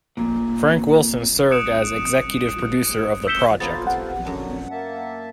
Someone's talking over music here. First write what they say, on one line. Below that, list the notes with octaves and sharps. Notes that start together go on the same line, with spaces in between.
Frank Wilson served as executive producer of the project.
A#2
D#6 F#6 C#7 D7 E7
E6 G6 B6 C#7 E7 G7
B3 F4 A4 C5 C#5 A#5 A6
F#5
F#2 D3 F#3 D4
A#3 E5 A5